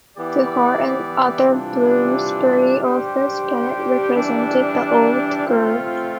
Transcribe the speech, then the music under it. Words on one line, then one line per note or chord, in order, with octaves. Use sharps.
To her and other Bloomsbury authors Bennett represented the "old guard".
E3 B3 E4 G4 D5
C3 E3 G3 D4 F4
G3 D4 G4 C5
E3 G3 D4
A3 C4 F4